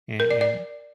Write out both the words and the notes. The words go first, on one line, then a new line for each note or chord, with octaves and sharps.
And and
A#4
D5
D5